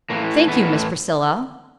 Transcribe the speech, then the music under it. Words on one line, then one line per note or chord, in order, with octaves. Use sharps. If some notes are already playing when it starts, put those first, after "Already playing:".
"Thank you, Miss Priscilla."
A2 E3 A#3
A2 E3 B3